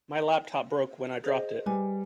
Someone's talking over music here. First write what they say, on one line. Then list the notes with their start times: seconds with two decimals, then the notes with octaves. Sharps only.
My laptop broke when I dropped it.
1.24 G#4 C5 D#5
1.66 G3 B4 G#5